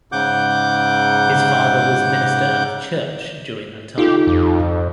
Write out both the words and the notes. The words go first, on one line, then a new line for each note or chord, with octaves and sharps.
His father was minister at the church during that time.
G#2 C#3 F#5 D6 G6
D#4 F4 G4 A4
F2